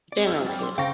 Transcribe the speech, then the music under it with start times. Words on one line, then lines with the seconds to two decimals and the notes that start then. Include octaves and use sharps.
They don't care.
0.12 C4 D5
0.27 E6 F6
0.44 F#3 C4 D5 G5 B5
0.59 C6 D6
0.78 C#3 G#4 C5 F5 G5 A#5 C#6 A#6